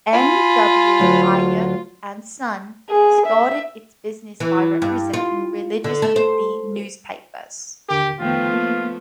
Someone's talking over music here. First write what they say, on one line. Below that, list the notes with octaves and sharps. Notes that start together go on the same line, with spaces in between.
N. W. Ayer and Son started its business by representing religious weekly newspapers.
F4 G#5 B5
D2 F#3
G#4
E5
E3
G2
F4
D3
A3
C5
D#2 D3 G4 A#4
F2 D#3 F3 A3 B3 F4 G5
A#3